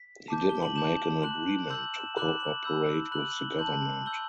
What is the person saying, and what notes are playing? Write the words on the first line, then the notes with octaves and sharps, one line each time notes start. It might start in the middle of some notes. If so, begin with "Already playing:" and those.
He did not make an agreement to cooperate with the government.
Already playing: B6
A5 D6 G6
G7
F#7
A5 D6 G6 E7
C6 F#6 F#7
C6 E6 G6 F#7
E7
B5 D6 F#6 F#7
E7
F#7
B5 E6 G6
B5 F#6 F#7
G7
A5 C6 G6 F#7
C6 E6 G6 G7